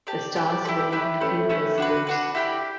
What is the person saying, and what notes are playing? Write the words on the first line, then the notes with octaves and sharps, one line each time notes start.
The stars will not feel this force.
G4 D5 A5
G4 D5 A5
E4 G4 B4 D5
E4 G4 B4 D5
A3 C#4 G4 B4
A3 C#4 G4 B4
D4 F#4 B4
D4 F#4 B4
E4 G4 D5 G5